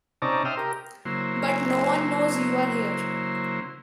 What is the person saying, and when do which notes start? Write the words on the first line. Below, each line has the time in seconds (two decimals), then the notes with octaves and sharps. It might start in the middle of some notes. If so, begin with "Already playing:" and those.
But no one knows you are here.
0.22 C3 C#4 D#4 D5 A5 A#5
0.45 E5 G5 C6 D#6 F6
0.57 G4 A#4
1.05 C#3 F#3 A#3 E4 C5